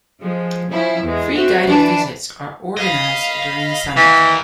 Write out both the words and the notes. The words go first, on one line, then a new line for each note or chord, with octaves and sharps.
Free guided visits are organised during the summer.
F3 G#3
F3 C#4 E4
E2 G#3
C4 F#4 E5
E3 D4 B4
D#5 F5 B5
D#3 E3 A#3